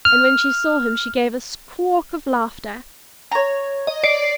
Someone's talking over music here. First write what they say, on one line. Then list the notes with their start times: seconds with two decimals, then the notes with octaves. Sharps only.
And when she saw him she gave a squawk of laughter.
0.05 F6
3.31 C#5 A#5
3.87 D#5
4.03 D5 C7 D7